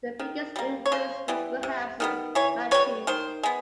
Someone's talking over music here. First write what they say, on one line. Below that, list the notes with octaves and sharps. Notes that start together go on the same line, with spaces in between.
The biggest influence was perhaps Matisse.
D#3
G3 A#3
C#5
C#3 C5
E3 G3 B3
C3
D#3 G3 B3
E3 C#5
G3 B3 C#5
D#3 C5
G#3 B3